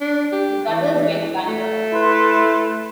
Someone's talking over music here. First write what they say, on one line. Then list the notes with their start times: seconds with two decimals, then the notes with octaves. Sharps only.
The brothers went bankrupt.
0.01 D4
0.33 G4
0.69 E3
1.48 A3
1.93 E4 B4 C6